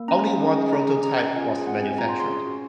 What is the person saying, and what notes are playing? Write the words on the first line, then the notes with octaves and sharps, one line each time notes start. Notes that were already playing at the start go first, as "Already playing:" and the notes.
Only one prototype was manufactured.
Already playing: A#3
C#4 A#5
G#4
C#4
G#4
G#4 A#5
C#4
C#4 A#5
C#4
F4 G#5
G#4
C4 F#5
C4 G#5
F4 A#5
C6
G#4
C6
C#4
F#4